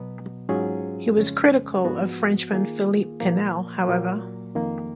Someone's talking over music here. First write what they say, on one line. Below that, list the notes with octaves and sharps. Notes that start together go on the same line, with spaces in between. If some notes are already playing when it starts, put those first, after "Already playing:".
He was critical of Frenchman Philippe Pinel, however.
Already playing: B2 F#3 B3
G#2 F#3 C#4 F4 G#4
F2 C#3 G#3 C#4
G#2 F3 B3 F#4
D#3 A#3 F4 G#4
A#2 F3 A#3
A#2 F#3 A#3
F2 D#3 A#3